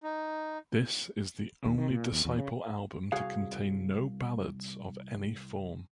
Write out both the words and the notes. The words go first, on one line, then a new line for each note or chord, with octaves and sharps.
This is the only Disciple album to contain no Ballads of any form.
D#4
D#2
D#3
A#2
D#2
E2
C#3
C2 F#4 G#4 C#5 F5